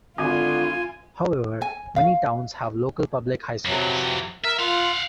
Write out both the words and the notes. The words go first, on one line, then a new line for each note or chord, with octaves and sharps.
However, many towns have local public high schools.
G#1 D3 F4 G#5
G#5
F5
F2 C3 E3 F#3
A#4 E5
F4 F5 F#5